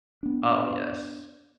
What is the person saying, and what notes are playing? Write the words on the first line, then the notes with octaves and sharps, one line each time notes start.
Oh, yes.
B3 D4